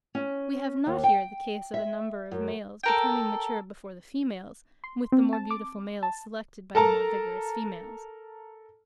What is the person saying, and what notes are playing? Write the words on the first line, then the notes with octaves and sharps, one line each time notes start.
We have not here the case of a number of males becoming mature before the females, with the more beautiful males selected by the more vigorous females.
C#4
D#2
G5
E5
F#2
A4 A#4 G5
C6
C4
A5
D6
A5
A4 A#4 A5 A#5